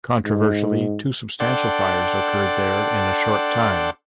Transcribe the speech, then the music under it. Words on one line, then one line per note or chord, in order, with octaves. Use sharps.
Controversially two substantial fires occurred there in a short time.
G#2
D4 A4 D5 F#5 G5 C6